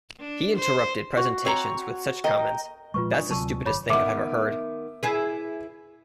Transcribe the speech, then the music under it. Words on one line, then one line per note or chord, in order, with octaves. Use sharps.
He interrupted presentations with such comments That's the stupidest thing I've ever heard!
D4
C5
F#4
C4 C#5 A#5
A#4 D#5 G5
A#2 F3 G#3 F4 B4 C#6
D4 D5 G#5 D#6
D2 C3 F#3 A5 C#6 E6
G1 C#5 B5 D6
D#3 B3 E5 D6
E4 G#4 B4